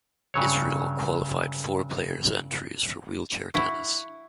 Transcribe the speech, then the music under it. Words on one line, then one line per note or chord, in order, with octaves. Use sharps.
Israel qualified four players entries for wheelchair tennis.
G2 C#3 F#3 C#5
E4 F#4